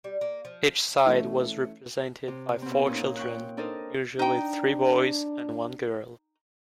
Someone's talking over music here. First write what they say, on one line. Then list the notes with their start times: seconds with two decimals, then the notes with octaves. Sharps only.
Each side was represented by four children, usually three boys and one girl.
0.04 G3
0.21 A#3
0.45 F3
1.06 E3 A3 C#4
2.28 C3
2.62 B2 C4
2.87 A#2 C#4 D#4
3.17 G5 C#6 F#6
3.57 D4 D#4 A4 A#4 C5 D#5
4.19 D4 D#4 G5